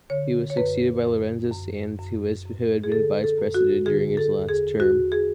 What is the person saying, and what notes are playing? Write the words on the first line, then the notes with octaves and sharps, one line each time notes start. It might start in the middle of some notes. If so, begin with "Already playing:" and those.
He was succeeded by Lorenzo Sanz, who had been vice-president during his last term.
D3 C#5
C#5
F#2 B4
F#2
F#2
F#2
F#2
G#4
D3 A4
A4
F#2
F#4
D3 G#4
A4
E2
G#4
E2 F#4
G#4